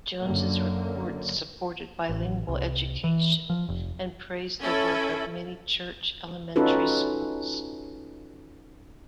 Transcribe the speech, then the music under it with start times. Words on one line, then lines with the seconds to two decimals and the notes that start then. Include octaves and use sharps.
Jones's reports supported bilingual education and praised the work of many church elementary schools.
0.21 F#2 D3 A#3
2.09 A1
2.48 C2
3.04 E3
3.50 F3
3.69 F1
4.60 C#4 E4 A4
6.56 C#4 D#4 F4 F#4 A4 B4